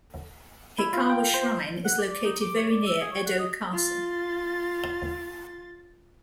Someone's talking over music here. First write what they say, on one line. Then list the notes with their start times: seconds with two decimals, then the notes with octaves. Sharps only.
Hikawa Shrine is located very near Edo Castle.
0.78 E4
0.93 F4
1.10 G5
1.34 C5
1.85 F#5
1.99 D5
2.12 D5
2.25 D#4
2.41 D6
2.56 C#5
2.70 D5
2.87 E6
3.01 G#4
3.12 C#5
3.26 F#5
3.39 D#5
3.73 F4 A6